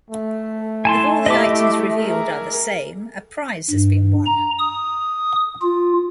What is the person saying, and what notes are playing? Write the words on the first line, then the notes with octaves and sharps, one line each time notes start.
If all the items revealed are the same, a prize has been won.
A3
E4 G#5 A5 C6
E4 G4 D#5 E5 D6
G#4 A#4
G2
A#5
D#6
F4